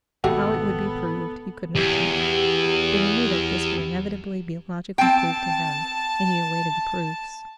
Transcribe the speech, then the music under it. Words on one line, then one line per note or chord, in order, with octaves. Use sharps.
How it would be proved he could not tell, but he knew that this would inevitably be logically proved to him, and he awaited the proofs.
G#1 G#2 B2 A3 B3 F#4 G4 A4
E2 G4
C4 G5 A5